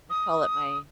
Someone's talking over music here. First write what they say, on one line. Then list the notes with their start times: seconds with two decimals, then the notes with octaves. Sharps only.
I call it my
0.10 D#6